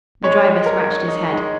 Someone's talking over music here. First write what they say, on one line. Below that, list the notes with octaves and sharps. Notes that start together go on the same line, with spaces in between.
The driver scratched his head.
G#3 C#5
G#3
A#4
D#4
D#4
G#3